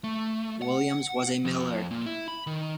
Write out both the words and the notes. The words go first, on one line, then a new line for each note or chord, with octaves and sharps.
Williams was a miller.
A3
F#5
F2
A#2
E4
B5
D#3